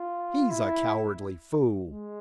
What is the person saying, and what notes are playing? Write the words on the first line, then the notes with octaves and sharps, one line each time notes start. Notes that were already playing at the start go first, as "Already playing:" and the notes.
"He's a cowardly fool!"
Already playing: F4
E4
G#3